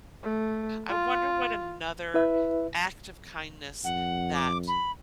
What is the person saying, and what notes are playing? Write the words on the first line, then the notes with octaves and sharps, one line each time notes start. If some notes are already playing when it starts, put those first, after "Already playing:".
I wonder what another act of kindness that
A3
F4
E4 B4 E5
F2 F#5
D6
B5